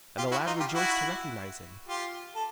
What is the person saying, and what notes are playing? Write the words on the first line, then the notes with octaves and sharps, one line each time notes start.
And the lad rejoiced to recognise him.
F4 G4
E4 F#4
D#4 F4
F4 G4
E4 F#4
F4 G4
A4